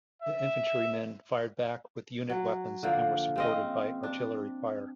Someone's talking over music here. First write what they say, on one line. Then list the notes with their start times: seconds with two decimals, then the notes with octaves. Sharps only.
The infantrymen fired back with unit weapons and were supported by artillery fire.
0.22 E5
2.30 F#3
2.83 D3 F3 A#3
3.36 C#3 C4 D#5
4.03 D4